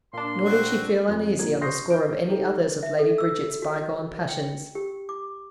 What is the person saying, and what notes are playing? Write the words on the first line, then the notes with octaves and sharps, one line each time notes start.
Nor did she feel uneasy on the score of any others of Lady Bridget's bygone passions.
A#2 A#3 D4 C6
C4 F#4
F2
A#2 F3 A#4 G#6
C6 C#6 D#6 G6 A#6 C7
F6 G6 D7
D#4 G4 A4
E5
A4
E6
F#4
D#5
G5
G4
D6